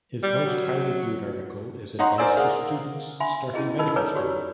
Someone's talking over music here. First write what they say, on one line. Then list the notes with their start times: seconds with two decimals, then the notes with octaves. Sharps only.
His most highly viewed article is advice to students starting medical school.
0.23 G3
0.46 F#3
1.99 D#4 C#5 F#5 A#5 C6
2.18 A#4 C5 D5 G#5 E6
2.37 G#4 A#4 F5 F#5
3.20 D4 E5 B5 C6
3.54 C#4 E4 G#4 D#5
3.79 D#4 A4 A#4 D#5 B5
3.96 A4 B4 C#5 D5 A#5 D6
4.15 F#4 G4 C#5 D5